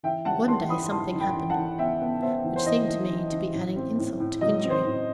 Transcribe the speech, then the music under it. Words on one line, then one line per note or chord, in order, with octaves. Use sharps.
One day something happened which seemed to me to be adding insult to injury.
E3 E5 G5
G3 F#5 A5
E3 A5 C6
E3 B5 D#6
E3 A5 C6
E3
G5 B5
E3
F#5 A5
E3
B3 E5 G5
B3
B3 C5 E5
E3
C5
E3 D#5
E3
E3
E3
A2
C4
A2
A2
F#3 D#5
C4
C5
A2